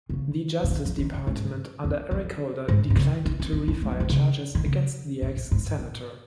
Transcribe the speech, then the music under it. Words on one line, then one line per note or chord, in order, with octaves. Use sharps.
The Justice Department under Eric Holder declined to refile charges against the ex-Senator.
A#2
C#3
C#3
D#3
F3
D#3
C#3
G#2
F2
F2
G#2
D#3
C#3
D#4
C#4
D#4
C#4
G#3
F3
D#3
C#3
D#3
C#3
A#2
A#2
G#2
A#2